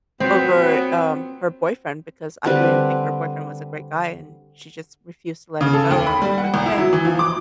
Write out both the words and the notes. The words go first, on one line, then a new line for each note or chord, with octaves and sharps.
over, um, her boyfriend because I didn't think her boyfriend was a great guy, and she just refused to let him go. I was like going, "Okay"
A#2 F#3 B3 C4
D3 G3 C4 B4
C#3
A4
D#2
B5
G3
F#5
C2
E4
F#3
E3
F3
D6